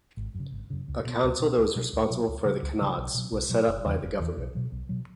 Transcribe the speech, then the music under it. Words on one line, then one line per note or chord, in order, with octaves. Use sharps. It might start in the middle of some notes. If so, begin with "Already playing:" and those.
A council that was responsible for the qanats was set up by the government.
G#1
F#2
C#3
G#1
F#2 C#3
C#2
B2 G#3 B3
C#2
B2 G#3 B3
C#2
B2 F#3
C#2
B2 F#3
C#2
C#3 F#3
C#2
C#3 F#3
B1
B2 F#3
B1
B2 F#3
F#1
E2 C#3 E3
F#1
E2 C#3 E3
B1
B2 F#3
B1
B2 F#3